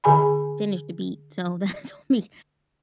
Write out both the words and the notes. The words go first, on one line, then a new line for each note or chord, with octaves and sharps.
finish the beat, so, that's on me,
D3 G#4 G#5 B5